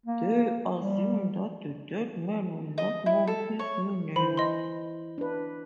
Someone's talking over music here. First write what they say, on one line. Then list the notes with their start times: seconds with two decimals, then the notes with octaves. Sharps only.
They assume that the dead man will not know his new name.
0.06 A#3
0.78 G3
2.78 D#5
3.06 E4
3.27 A4
3.59 C#5
4.16 E3 C5 B5
4.37 D#5 C6
5.18 D4 B4